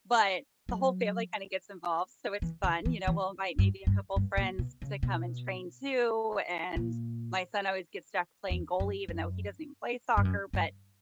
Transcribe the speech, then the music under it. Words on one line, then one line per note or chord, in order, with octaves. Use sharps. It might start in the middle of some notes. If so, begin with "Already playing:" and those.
but, the whole family kinda gets involved, so it's fun. You know, we'll invite maybe a couple friends to come and train too, and my son always gets stuck playing goalie, even though he doesn't even play soccer, but,
F#3
E3
D3
E3
E3
G2
G2
G2
A#2
B2
C#3
B2
A#2
E2
F#2
F#2
G2
F#2
G2